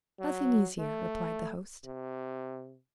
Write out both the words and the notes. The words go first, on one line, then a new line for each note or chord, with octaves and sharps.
"Nothing easier," replied the host.
F#3
A3
C3